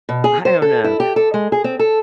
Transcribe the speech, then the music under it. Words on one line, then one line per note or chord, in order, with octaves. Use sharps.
I don't know.
B2
G#4
C5
A4
E4
G4
A4
G#3
G#4
C4
A4